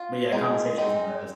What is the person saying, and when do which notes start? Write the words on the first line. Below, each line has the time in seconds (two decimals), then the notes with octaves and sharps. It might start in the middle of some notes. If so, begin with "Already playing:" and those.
But, yeah, conversation is the best.
Already playing: F4
0.32 G#3 C4 D#4
0.78 G#3 C4 D#4